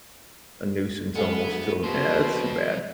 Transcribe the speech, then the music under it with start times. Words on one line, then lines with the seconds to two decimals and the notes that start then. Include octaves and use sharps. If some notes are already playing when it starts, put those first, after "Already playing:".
a nuisance almost to him. Eh, that’s too bad.
1.15 G#3 B3 A4 F5
1.44 D2 G#4
1.84 F2 B2 C5